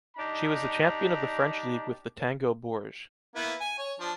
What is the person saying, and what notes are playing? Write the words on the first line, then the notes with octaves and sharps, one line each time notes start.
She was the champion of the French league with the Tango Bourges.
D4 D#4 G4 D5 A#5
A#3 B3 E4
G#5
C#5
F3 D4